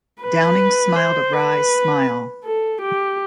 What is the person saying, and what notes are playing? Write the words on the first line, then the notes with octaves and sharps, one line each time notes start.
Downing smiled a wry smile.
B4
C5
B4
A4
G4